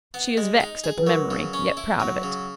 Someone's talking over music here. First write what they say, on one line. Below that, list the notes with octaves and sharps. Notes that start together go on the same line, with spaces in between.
She is vexed at the memory, yet proud of it.
B3
G#3
D#4
G#4
B4
F#3 A#4
C#3
C#4
E4
F#3
C#3